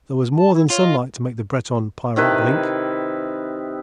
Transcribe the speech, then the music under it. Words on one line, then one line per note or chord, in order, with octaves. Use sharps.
There was more than sunlight to make the Breton pirate blink.
A5
E4
F4 C#5
D#5
C3 D#3 E4 B4